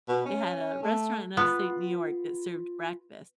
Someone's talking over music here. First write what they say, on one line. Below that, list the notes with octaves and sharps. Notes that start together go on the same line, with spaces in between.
They had a restaurant in Upstate New York that served breakfast,
B2
C#4
A3
B3 F4 B5 F#6